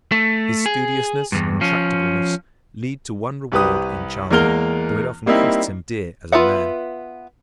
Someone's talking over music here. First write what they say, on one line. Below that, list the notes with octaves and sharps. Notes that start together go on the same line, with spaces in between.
His studiousness and tractableness lead to one reward in childhood, though it often costs him dear as a man.
A3
G#4
E2 G2
F3 C#4
C2 G4 B4 D#6
E2 G#3 A#3 A#4 F6 G7
G3 A#3 C4 D#4 E4
B3 F4 B4 E5 F#5